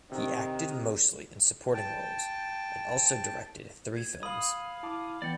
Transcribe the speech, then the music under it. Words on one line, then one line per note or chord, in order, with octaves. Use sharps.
He acted mostly in supporting roles and also directed three films.
C3 D#3
G5 A5
G#6
F5 B5 D#6 F#7
E4 A5 D6
E3 B3 D5 G5 C#7